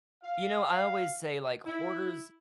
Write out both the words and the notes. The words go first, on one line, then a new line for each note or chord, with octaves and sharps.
you know, I always say, like, Hoarders,
F5
E4